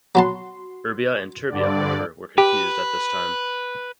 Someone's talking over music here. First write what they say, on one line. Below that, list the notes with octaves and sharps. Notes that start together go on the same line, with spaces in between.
Erbia and terbia, however, were confused at this time.
F#3 B3 F#4 A5 C6
G2 D3 D5
G4 B4